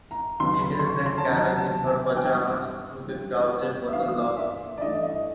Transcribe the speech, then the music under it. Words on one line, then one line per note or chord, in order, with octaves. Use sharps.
She is then carried in her pajamas through the crowded hotel lobby.
A#5
D#2 C#3 F#3 B3 C6
B5
C6
C#6
C6
A5
D#2 C#3 F#3 B3 A#5
A#5
A5
G#5
G2 E3 G3 G5
G2 E3 G3
E5
G2 E3 A3 D4 F5
E5
D5
G2 E3 A3 D4 D#5
D#5